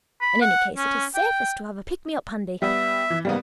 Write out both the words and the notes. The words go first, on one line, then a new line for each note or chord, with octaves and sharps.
In any case, it is safest to have a pick-me-up handy.'
B5
F#5
C#4
G5
G3 B3 E5
E3
G#2 C#3 G3 A#3 B3